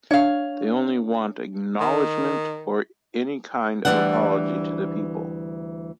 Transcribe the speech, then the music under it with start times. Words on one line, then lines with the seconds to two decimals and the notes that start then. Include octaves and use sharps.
They only want "acknowledgement or any kind of apology to the people".
0.11 D4 C#5 F5
1.80 D#3
3.85 D2 C#3 E3 G3 D4 F#5